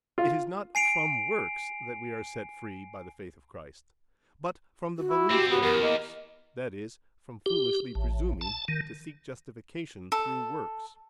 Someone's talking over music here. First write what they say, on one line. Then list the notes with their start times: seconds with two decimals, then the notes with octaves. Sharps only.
It is not from works that we are set free by the faith of Christ, but from the belief in works, that is from foolishly presuming to seek justification through works.
0.18 F4
0.75 G#5 C7 D7 F7
4.98 F#4
5.10 E4
5.30 C#2 C4 F#4 G4
5.51 B3 F#4 G4
5.63 E2 A#4
5.82 A#3 D#5
7.46 G4
7.95 A1
8.41 A5
8.68 D#3
10.12 A4